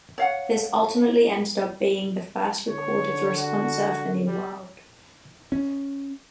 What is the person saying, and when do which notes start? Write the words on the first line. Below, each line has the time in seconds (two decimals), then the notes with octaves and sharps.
This ultimately ended up being the first recorded responsa of the New World.
0.18 C#5 F5 F#5
2.69 D3 C#5
3.37 F#4
4.27 G3
5.52 C#4